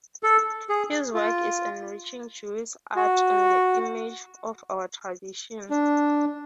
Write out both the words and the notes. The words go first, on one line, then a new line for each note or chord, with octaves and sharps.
His work is enriching Jewish art and the image of our tradition.
A4
G#4
F4
F#4
D4